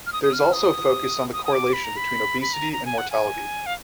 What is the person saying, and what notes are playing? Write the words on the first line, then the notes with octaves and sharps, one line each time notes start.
There is also a focus on the correlation between obesity and mortality.
F6
D#6
D#6
F6
D#6
D#6
D#6
D6
B5
A#5
B5
B5
A#5
A#5
G#5
F#5
G#5
F5